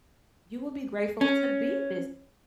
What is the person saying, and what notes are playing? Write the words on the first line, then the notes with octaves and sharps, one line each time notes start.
you will be grateful to be this.
C#4